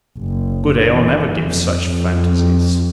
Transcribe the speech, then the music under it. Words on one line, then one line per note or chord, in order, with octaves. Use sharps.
Good ale never gives such fantasies.
F#1
E3
F2
F2